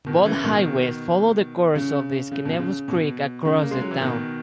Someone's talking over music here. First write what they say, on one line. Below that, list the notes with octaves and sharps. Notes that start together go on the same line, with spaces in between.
Both highways follow the course of Schenevus Creek across the town.
B2 D#3
C#3 E3
B2 D#3
C#3
C#3
B2
C#3
B2
C#3
A#3
G#3
F#3
E3
B2 D#3